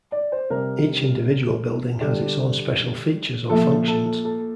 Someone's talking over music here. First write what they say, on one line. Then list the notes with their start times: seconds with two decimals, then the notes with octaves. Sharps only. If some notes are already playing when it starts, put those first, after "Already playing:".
Each individual building has its own special features or functions.
0.12 D5
0.32 C5
0.50 C3 G3 A#4
2.00 D3 G3 G4
3.50 A#2 F3 A3 A4
3.88 A4
4.06 A4
4.25 A4